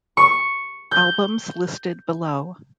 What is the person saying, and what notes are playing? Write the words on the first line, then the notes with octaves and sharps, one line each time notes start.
Albums listed below.
C#6
G6